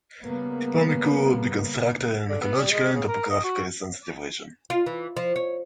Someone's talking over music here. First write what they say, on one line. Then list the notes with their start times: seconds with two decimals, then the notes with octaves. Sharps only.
Tipaimukh would be constructed in an ecologically and topographically sensitive region.
0.23 C#3 G3 A#3 B3
2.29 D3
2.41 B3
2.57 G3
2.71 G#3
2.93 C#3
3.08 A#4
3.30 D#5
3.44 F#4
4.70 F4
4.86 E3
5.17 F3
5.36 C#5